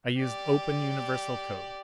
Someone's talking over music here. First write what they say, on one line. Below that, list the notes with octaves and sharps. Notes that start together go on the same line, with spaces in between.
I used open universal code.
G4 D5